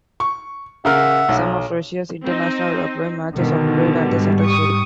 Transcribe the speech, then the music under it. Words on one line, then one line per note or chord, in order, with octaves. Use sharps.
Some of Russia's international rugby matches are played at the Central Stadium.
C#6
C#3 A#4 E5 F#5 F6
B1
C4 D#4
B2 D3 D#3
G#2 G3
C#6 D#6